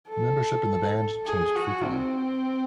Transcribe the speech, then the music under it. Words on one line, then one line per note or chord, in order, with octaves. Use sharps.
Membership in the band changed frequently.
A4
G#4
F#4
C4